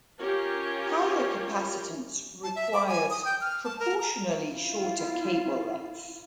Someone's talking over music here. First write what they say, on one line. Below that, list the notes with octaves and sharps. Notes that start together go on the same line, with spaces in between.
Higher capacitance requires proportionally shorter cable length.
C#4 F4 G4 A#4 C#5
A5
E5
D6
G#5
D#6
G5
F6
A5
A#4
A#5
E4 F4